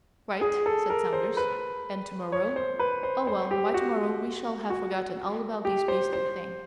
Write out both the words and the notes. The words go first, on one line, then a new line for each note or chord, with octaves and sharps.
"Right," said Saunders; "and to-morrow--Oh, well, by to-morrow we shall have forgotten all about this beastly thing."
G#4
A4
A#4
C5
B4
C#5
C5
B4
C5
C5
G4
F#4
F#4
G4
C5
C5